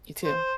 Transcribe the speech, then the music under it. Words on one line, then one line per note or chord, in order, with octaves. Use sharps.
You too.
C5